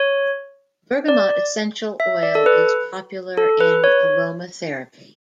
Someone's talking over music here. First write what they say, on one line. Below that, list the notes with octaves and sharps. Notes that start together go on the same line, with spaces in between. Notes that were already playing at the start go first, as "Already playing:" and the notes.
Bergamot essential oil is popular in aromatherapy.
Already playing: C#5
D5
E5
D5
A4
B4
A4
B4
C#5